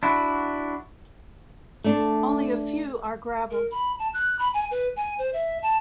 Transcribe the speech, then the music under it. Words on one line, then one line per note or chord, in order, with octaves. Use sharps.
Only a few are graveled.
D4 E4 F#4
A3 D4
A#4
B5
A5
F#6
B5
G#5
B4
G#5
C5
E5
A5